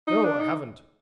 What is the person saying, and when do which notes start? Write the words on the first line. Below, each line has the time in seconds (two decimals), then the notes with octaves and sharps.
'No, I haven't.
0.07 D#4
0.24 D4
0.39 D#4